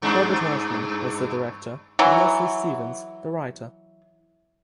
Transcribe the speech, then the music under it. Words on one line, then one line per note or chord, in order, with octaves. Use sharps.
Herbert Hirschman was the director and Leslie Stevens the writer.
G2 G#3 D4
E3 F#3